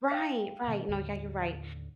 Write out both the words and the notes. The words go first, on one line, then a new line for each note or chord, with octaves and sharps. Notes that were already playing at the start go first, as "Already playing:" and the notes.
Right, right, no, yeah, you're right,
F5 G5
B2 D#3 B3
D#2 A2 D3